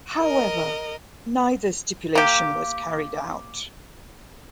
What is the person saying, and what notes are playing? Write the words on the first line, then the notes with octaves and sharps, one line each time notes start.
However, neither stipulation was carried out.
A#4 D#5
A#3 G4